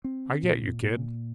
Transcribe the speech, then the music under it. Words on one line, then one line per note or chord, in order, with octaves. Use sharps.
"I get you, kid."
C4
A#2
A#2